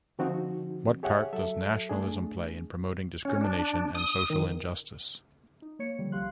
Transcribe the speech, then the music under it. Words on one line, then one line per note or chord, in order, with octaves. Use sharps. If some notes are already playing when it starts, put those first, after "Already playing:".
What part does nationalism play in promoting discrimination and social injustice?
D3 F3 C4 D#4 F#4
G4 G#4 C#5 E5 F#5
F#3 A4 E5
A3 D4 G#4
C#4
D4
D#6
D#3
D#4
A#3 C#5 C#7
D3 F3 G3
C2 G4 F5 C6 F#6